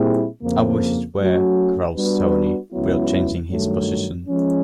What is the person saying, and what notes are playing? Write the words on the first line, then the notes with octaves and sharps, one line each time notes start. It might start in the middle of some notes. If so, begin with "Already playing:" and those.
"I wish it were," growls Tony, without changing his position.
Already playing: A#2 G3 C4 E4 G#4
F2 C#3 F3 A#3
F#3 A3 C#4 F#4
G3 B3 D4 F#4 B4
C#2 C#3 F#3 B3 E4
G2 D#3 F#3 A3
F3 G#3 C#4